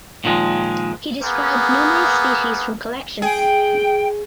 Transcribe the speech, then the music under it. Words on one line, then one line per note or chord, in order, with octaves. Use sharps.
He described numerous species from collections.
A#2 D#3 F3 G#3
A#3 B3 G#4
G#4 G5